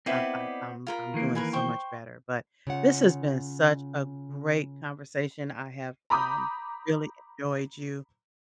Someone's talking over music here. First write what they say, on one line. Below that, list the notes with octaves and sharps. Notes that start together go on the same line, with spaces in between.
I've I've I'm I'm doing so much better." But, this has been such a great conversation, I have um, really enjoyed you.
B3 C4 E4 D5 D#5
F4 A#4 B5
D#3 E3 A#3
A#4 B4 G#5
C5 G5 C#6
C#3 F4 F#5
A#5 B5 D6 D#6 G6